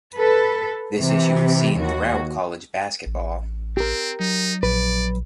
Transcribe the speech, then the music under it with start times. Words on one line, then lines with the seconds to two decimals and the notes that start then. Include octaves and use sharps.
This issue is seen throughout college basketball.
0.15 A4 B4
0.98 C3 E3
1.77 D#2 F#4
3.06 A1
3.77 C4 G4 A#4
4.20 F#3 D#4
4.63 A#1 B4 D5